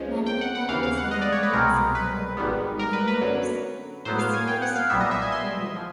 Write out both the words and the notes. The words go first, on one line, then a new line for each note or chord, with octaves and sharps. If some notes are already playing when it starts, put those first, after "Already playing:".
Madanapalle surroundings have enormous reserves of granite.
Already playing: C#2 C#3 F3 G#3 C#4
G5
F#5
F#5
D#2 C#3 E3 F5
F5
F#5
D#5
D5
C#5
B4
C2 B2 G#3 C4 A#4
B4
G#1 G#2 D#3 G3 B3
A#4
B4
B4
F#2 D3 F#3
A2 F#3 B3 C5
F5
G#5
G5
F#5
F5
B1 A#2 G3 B3 E5
D#5
E5
G#5
C6
F3